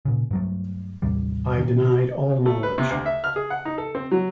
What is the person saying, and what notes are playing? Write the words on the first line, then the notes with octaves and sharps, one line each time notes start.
I denied all knowledge.
A#2 C#3
G2 F#3 A3
A1 D#2 C3 G3
A#2 D#3
A3
B4
C3
D2
E5
F6
G#4
F#5
D#4
A4
C4
F#3